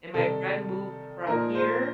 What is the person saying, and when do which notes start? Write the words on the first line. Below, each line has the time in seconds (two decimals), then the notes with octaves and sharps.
and my friend moved from here
0.14 C3 D#3 G3 A4
1.27 A#2 F3 A#3 D#4 A#4
1.55 C5